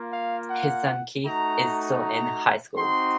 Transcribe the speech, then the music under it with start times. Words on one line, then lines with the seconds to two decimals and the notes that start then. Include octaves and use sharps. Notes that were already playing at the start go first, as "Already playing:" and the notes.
His son Keith is still in High School.
Already playing: A#3 F4
0.11 F5
0.49 F#5
1.25 A3 D#4 F#4 A#5
2.01 A#5
2.77 C4 D#4 F#4 C6